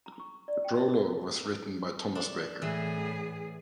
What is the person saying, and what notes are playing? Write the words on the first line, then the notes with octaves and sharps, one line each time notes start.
The prologue was written by Thomas Baker.
A#5
C#6
D5
G5
D4
A2 E3 G#4